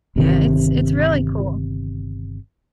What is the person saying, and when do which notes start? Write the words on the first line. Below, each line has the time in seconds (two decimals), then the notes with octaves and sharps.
Yeah, it's it's really cool.
0.16 G1 C3 D#3